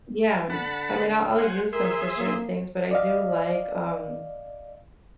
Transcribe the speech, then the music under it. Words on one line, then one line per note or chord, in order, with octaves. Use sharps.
yeah. I mean, I'll I'll use them for certain things, but I do like, um,
D3 F#5 A5 B5
C5 F#5 G#5
G#4 A#4 E5 C6
A#3
D5 D#5 F5